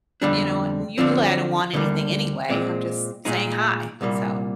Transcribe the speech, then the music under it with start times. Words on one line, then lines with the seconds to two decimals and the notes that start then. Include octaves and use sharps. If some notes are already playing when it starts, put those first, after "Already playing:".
you know, and usually I don't want anything anyway I'm just saying hi, so,
0.22 F2 D3 G3 D4
0.98 D3 F3 C4
1.73 D2 D3 G3 A#3
2.49 A#2 G#3 C4
3.25 A#2 G#3 D#4
4.01 C2 A#2 G3 A#3